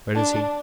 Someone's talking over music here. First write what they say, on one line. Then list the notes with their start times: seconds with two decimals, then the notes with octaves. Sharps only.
"Where is he?"
0.15 D4